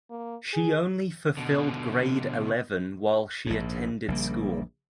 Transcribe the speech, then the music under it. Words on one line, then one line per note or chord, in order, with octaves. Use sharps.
She only fulfilled grade eleven while she attended school.
A#3
G#4
B2 D3
A#1 G#2
A#1 C#3 G3 A#3